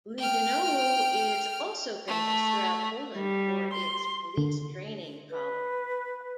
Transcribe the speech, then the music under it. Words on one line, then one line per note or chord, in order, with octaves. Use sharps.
Legionowo is also famous throughout Poland for its police training college.
G5 F6
A3
G3
C6
D3
B4